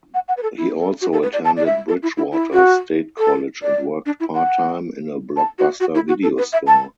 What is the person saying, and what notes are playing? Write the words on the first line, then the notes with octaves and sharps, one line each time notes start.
He also attended Bridgewater State College and worked part-time in a Blockbuster video store.
F#5
F#5
B4
A4
E4
A4
F#4
A4
B4
D5
A5
D5
E5
A4
E4
E4
E4
F#4
A4
D5
D4
E4
F#5
A5
F#4
F#4
E4
F#4
A4
B4
E5
A5